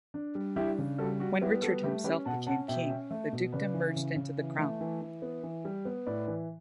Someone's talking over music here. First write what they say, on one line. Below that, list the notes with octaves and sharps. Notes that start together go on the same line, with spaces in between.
When Richard himself became king, the dukedom merged into the crown.
D4
G3
D4 E4 G4
C#3
G3 F#4 A4
G3 F#4
B3 E4 G4
G3 F#4 A4
A3 G4 B4
C#4 G4 B4
B2 F#5 A5
C#4 F#5 A5
B2 E5 G5
C#4
A3
B2
C#3 B4 D5
E3
C#3
C#3
E3
A3
E3
E3
B3
E3
G3
B3
A2 B4 D5
E3